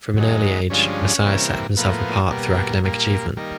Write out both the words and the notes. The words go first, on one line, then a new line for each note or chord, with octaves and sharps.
From an early age Masire set himself apart through academic achievement.
F#2 D#3 G#3
G2 D3 F3 G#3 C#4
C3 E3 G3 A#3
A2 F3 A#3 B3
B2 G3 A#3
A#2 G3 A#3
D#3 G3 A#3